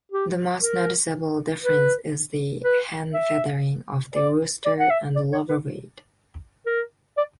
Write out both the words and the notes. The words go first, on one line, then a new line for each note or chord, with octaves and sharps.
The most noticeable difference is the hen-feathering of the rooster and the lower weight.
G4
A#4
B4
B4
E5
D5
D5
F#5
E5
D5
C#5
B4
A#4
D5